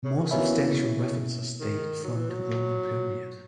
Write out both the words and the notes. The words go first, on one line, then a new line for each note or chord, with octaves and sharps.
More substantial references date from the Roman period.
C#3
D#3
B2 E3 A#3 C#4 E4
C#3
C#3
D#3
F#3
E3
F#3